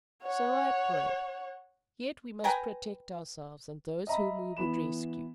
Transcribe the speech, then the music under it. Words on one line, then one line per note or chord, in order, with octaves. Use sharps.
"So I pray; yet we must protect ourselves and those whom we would rescue."
C#5 F#5
B4 G5 G#5 A#5
D#5 E5 A#5 B5
E3 B3 B5 E7